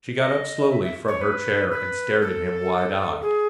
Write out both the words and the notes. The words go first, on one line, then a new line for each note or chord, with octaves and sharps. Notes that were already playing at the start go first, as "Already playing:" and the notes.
She got up slowly from her chair and stared at him wide-eyed.
D#5
E5
E5
C#5
B4
B4
A4
G#4